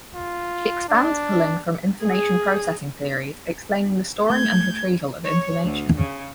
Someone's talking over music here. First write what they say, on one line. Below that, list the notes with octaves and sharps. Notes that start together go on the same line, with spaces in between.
She expands pulling from Information processing theories explaining the storing and retrieval of information.
F4
D4
G#4
A3 G6 G#6
C#5
D2
C#3